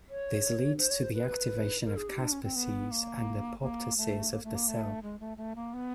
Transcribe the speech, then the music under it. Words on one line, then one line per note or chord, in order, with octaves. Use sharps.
This leads to the activation of caspases and apoptosis of the cell.
C#5
C5
C#5
C5
B4
A#4
G#4
G4
D4
C#4
C4
B3
A#3
A#3
A3
A#3
A3
A#3
A3
G#3
A3
A3
A#3
B3